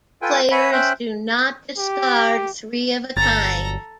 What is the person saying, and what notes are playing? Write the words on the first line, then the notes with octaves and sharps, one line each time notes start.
Players do not discard three of a kind.
F4 A4 B4 G5 G#5
B4 C#5 E5 F#5 G#5 B5
C#4 C5 E5 G5 F#6
G4
G1 A4 A#5 A6